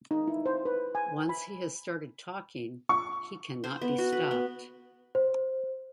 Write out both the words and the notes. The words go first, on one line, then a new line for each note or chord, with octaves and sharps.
Once he has started talking, he cannot be stopped.
D#4
E4
C5
B4
G#5
B5
C#6
C5
B3
F#4
B4
B3
C5